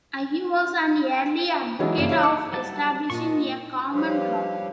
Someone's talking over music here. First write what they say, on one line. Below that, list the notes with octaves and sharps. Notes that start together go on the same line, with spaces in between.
Agee was an early advocate of establishing a common ground.
E3 F#3 G#3 D#4 E4
G2 C#3 A#3 D5 E7
E4 C#5 F5
D#4 D6 E6 C#7
F#3 G3 A5
A#2 D#5 C#6
F3 G3 G4 B4 C#5 F5